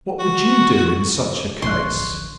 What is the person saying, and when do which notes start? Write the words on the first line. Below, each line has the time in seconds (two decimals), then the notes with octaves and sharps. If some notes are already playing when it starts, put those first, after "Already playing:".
What would you do in such a case?
0.19 F#4
1.62 A1 D2 F3 C6 C#6 F#6